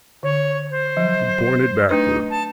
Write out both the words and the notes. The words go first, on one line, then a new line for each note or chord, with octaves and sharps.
He pointed backward.
D3 C#5
C5
F3 F#3
A3 D4 D#4 B4
A5